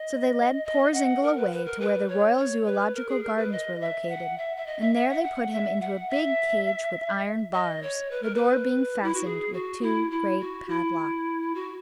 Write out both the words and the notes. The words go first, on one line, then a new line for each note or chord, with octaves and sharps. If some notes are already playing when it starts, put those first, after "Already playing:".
So they led poor Zingle away to where the Royal Zoological Gardens were located, and there they put him into a big cage with iron bars, the door being fastened with two great padlocks.
Already playing: D#5
D#5
F#5
A#4
B4
B4
A#4
B4
C#5
C#5
B4
A#4
G#4
A#4
B4
D#5
E5
F#5
E5
E5
D#5
E5
E5
F#5
F#5
E5
F#5
E5
D#5
C#5
B4
A#4
B4
E4
F#4
G#4
F#4
E4
E4
F#4
E4
F#4